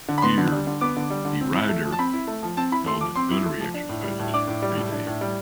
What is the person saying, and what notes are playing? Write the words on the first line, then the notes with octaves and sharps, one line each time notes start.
Here "De Ruyter" held gunnery exercises for three days.
D3
B5
B3 C6
D3
G3
D3
B3 D6
D3
G3
D3
C4
E4
A3
F3
A5
C4 B5
E4
A3
F3
C4 A5
E4 B5
A3 C6
F3 D6
C4 C6
E4
A3
F3
D4
A2
G3
A2
D4 D6
A2
G3
A2
D4
A2
G3